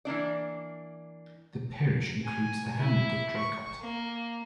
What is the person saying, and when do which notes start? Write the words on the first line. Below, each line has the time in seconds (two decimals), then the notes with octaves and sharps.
The parish includes the hamlet of Draycott.
0.05 E3 A#3 D4 D5
2.24 G#5
2.78 E4
3.37 C#6
3.81 A#3